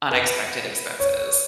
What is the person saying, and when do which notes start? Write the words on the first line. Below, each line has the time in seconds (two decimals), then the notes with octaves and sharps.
unexpected expenses.
0.11 B4
1.00 C#5